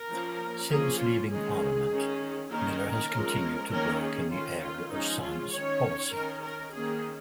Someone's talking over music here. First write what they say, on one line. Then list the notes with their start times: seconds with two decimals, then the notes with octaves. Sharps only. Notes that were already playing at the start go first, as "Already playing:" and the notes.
Since leaving Parliament Miller has continued to work in the area of science policy.
Already playing: A#4
0.10 F3 A#3 C#4
0.70 F3 A#3 C#4 G#4
1.00 F4
1.30 D#3 G#3 C#4 G#4
1.91 D#3 C#4
2.51 D#3 A#3 C#4 A#4
3.11 F3 G#3 C#4
3.71 D#3 A#3 C#4 A#4
4.02 G#4
4.31 D#3 C#4 F4
4.63 F4
4.92 F3 G#3 C#4 D#4
5.22 F4
5.52 D#3 C#4 C#5
6.13 D#3 C#4 A#4
6.42 A#4
6.73 D#3 A#3 C#4 G#4